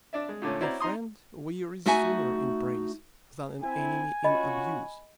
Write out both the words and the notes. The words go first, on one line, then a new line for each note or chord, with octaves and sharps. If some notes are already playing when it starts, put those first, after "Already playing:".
A friend wearies sooner in praise than an enemy in abuse.
D4 D5 E5
G#3
A#2 D3 A3 C#4
C#4 E4 F#4 C5 D5 A#5
D#4 A#5 C6 D#6
A3 D#4 F#4 E5 G#5
C4 E4 G#5
C#4 F4 F#4 D#5 B5